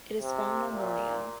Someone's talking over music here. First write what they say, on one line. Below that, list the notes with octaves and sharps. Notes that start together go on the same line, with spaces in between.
It is found on Borneo.
C3
A#2